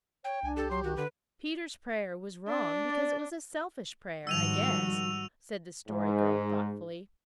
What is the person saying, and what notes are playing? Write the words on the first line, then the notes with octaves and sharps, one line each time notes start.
"Peter's prayer was wrong because it was a selfish prayer, I guess," said the Story Girl thoughtfully.
C#5 G5
C2 D4 G#5
G4 A4
F#3 C6
D#3 F#4
D3 B4
D4 D5
G#2 D#3 F3 G3 F#4 E6 D#7 F7
G#2